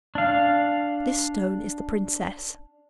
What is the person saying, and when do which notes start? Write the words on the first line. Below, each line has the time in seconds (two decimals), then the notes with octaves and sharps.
This stone is the princess.
0.15 D4 F5